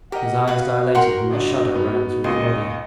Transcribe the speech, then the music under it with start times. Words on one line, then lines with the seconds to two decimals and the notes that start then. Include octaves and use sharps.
His eyes dilated and a shudder ran through his body.
0.12 G4 A#4 D#5 F#5
0.48 F#4 B4 F5
0.95 A#4 F#5 G5 C6
1.31 G1 D4 D#5
1.75 B3 D#4
2.24 C#2 A#2 D#5 C6